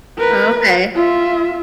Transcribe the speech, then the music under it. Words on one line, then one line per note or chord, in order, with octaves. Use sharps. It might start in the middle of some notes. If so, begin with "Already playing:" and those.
Oh, okay.
A#4 B4
F4 E5